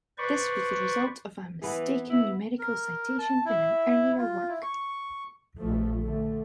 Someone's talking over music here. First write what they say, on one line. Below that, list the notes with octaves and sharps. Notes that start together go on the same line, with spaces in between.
This was the result of a mistaken numerical citation in an earlier work.
B4 C5 D5 C#6
E3 B3 G#4
E4
A#4
A5
E4
F4
E4
C#6
A#1 F3 A3
D3 A3